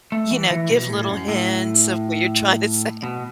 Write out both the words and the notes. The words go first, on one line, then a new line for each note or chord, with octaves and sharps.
you know, give little hints of what you're trying to say?
A3
E3
E3
B2
A2
F#2
A2
B2